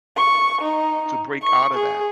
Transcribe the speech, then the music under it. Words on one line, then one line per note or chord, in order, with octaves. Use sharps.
to break outta that,
C#6
D#4
C#6
G#4